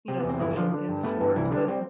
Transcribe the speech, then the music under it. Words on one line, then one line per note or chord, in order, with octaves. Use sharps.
you know, social and into sports, but
C3 C4
B3
E2
C4
G1 E3 E4
D3 F3 F4
D3
G2
A3 B3 B4
G2
C2 E3 E4
D3 G3 D4
G3 C4